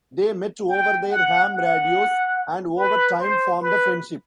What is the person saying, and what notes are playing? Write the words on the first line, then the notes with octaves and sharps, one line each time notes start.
They met over their ham radios, and over time formed a friendship.
G5
F#5
F#5
B4
C5
B4